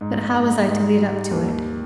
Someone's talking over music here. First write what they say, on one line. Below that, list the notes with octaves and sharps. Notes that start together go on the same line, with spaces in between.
But how was I to lead up to it?
G#2
G#2
G#2
G3
D#2